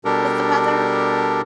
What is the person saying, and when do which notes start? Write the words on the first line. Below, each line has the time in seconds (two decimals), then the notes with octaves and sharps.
with the weather.
0.05 B2 G3 D4 G4 A4 A#4